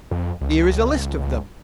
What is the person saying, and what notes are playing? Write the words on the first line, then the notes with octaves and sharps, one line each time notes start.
"Here is a list of them."
F2
C#2